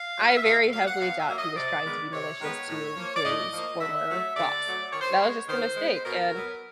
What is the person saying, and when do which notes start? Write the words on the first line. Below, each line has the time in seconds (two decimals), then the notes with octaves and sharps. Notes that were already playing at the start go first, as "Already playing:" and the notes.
I very heavily doubt he was trying to be malicious to his former boss. That was just a mistake, and
Already playing: F5
0.15 F#3 A#3
0.35 E5
0.43 B2 F5
0.71 F#3 A#3 F5
0.85 F#5
0.99 B2 F5
1.18 E5
1.28 F#3 A#3
1.37 D#5
1.55 C3 D5
1.84 D#3 G#3 B3
2.12 C3 C#5
2.40 D#3 G#3 B3
2.68 A2
2.96 F3 A#3
3.15 D5
3.24 A2 D#5
3.52 F3 A#3
3.80 D3 E5
4.08 F#3 A3
4.36 D3 D5
4.64 F#3 A3
4.92 D#3 C#5
5.02 C5
5.11 C#5
5.20 G#3 B3
5.48 D#3 C5
5.76 G#3 B3
6.04 B2 A#4
6.33 F#3 B3